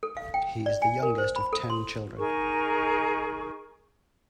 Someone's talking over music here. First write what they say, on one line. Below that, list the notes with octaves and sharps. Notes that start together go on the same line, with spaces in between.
He is the youngest of ten children.
A4
F5
G5
D5
G#5
A#4
C5
B5
A4
C6
D#4 G#4 A#4 C#6